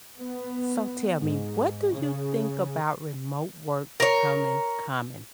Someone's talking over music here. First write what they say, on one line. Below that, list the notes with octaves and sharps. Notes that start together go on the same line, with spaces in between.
So tell me, what do you think about remote work becoming common?
B3
G#2
C#3
A#4 C#5